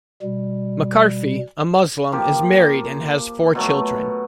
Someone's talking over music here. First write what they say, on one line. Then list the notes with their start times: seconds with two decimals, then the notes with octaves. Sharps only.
Makarfi, a Muslim, is married and has four children.
0.22 B2 G3
2.12 F3 A#3 G4
3.55 B2 F#3 A3